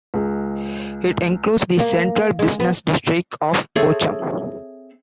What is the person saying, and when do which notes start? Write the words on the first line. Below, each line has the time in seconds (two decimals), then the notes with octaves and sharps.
It includes the central business district of Bochum.
0.14 C#2 G#3
1.80 A#3
2.39 G#3
2.60 B3
3.76 C4 G#4 A4 C#5 E5